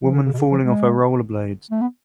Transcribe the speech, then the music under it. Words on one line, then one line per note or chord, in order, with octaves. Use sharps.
Woman falling off her rollerblades.
F3
D3
C#3
B2
C#3
F3
G#3
A3
B3